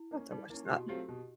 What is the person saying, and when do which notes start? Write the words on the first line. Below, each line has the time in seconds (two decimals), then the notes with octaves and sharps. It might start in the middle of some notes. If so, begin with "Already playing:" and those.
I'll have to watch that.
Already playing: E4
0.11 A#3 C#4
0.31 G3 D#4
0.50 A#3 C#4 E4
0.65 G4
0.69 B2 F#4
0.88 F#3 A3 C4 F4 G4
1.08 B2